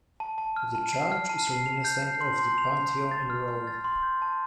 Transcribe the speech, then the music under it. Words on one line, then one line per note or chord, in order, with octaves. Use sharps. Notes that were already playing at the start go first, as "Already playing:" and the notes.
The church is reminiscent of the Pantheon in Rome.
A5
A5
F6
A5
C7
F6
A5
C7
F7
G6
C7
C6
C6
F7
C6
F7
A6
F6
F6
A6
C6
G6
A5